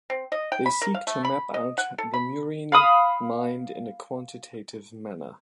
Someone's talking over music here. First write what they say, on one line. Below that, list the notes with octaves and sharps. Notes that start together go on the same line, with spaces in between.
They seek to map out the murine mind in a quantitative manner.
C4
D#5
G5
B5
A#4
F5
A3
B5
D#5
F#5
A4
B5
F5 B5 D#6